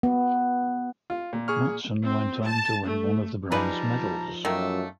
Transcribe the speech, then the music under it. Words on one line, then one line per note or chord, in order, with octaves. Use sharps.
Mattsson went on to win one of the bronze medals.
B3
F4
A#2
G#4 C#6 F6
C4
A5
A3
F3 G3 D#4 G#4 B4 D5 A5 A#5
F#2 D#3 A3 A#3 E6